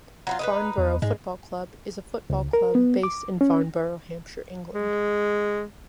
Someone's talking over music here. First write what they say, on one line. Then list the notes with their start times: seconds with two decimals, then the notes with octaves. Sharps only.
Farnborough Football Club is a football club based in Farnborough, Hampshire, England.
0.27 F#3 E4 F4
0.39 D#4 E4 B4
0.78 E2
1.02 G#2 G#3
2.30 C#2
2.53 A#4
2.75 B3
3.03 D6
3.41 C#4
4.75 G#3